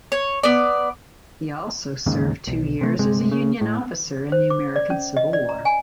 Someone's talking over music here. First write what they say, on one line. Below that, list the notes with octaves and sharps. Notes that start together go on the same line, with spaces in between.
He also served two years as a Union officer in the American Civil War.
C#5
B3 D5
D1 D#2 G#2 C#3
B1
C3 G#3 A3
G1 C3 G#3
C#3
A2
C5
D6
D5
C#4
D#5
D5
A#5
G#5